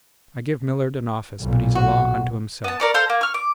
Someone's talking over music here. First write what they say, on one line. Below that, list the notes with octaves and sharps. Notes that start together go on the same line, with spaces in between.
I give Millard an office but he's a law unto himself.
B1 A#2
F#4
B3 A5
A#4 D5 C#6
A4 C5 F5
A#3
C#6 F6
D6